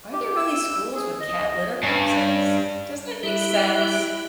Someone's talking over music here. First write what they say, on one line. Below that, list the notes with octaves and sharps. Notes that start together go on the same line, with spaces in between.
are there really schools with cat litter boxes? Does that make sense?"
G4
E6
G#4
D#5
G2
G3 E4 G4 F#6